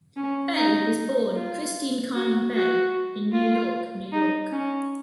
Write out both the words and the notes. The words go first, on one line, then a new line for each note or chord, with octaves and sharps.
Bay was born Kristine Carlin Bay in New York, New York.
C#4
D#4
F4
F#4
F#4
F4
D#4
C#4